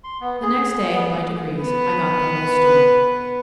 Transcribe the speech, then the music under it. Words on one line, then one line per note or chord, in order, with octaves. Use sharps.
The next day, by degrees, I got the whole story.
C6
B3
G#4
B3
B3 B4